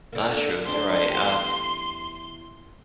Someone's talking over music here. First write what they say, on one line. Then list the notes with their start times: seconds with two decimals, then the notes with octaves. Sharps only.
That's true, you're right. Uh,
0.13 D3 A#3
0.66 D2 D4 C6
1.09 E2 G4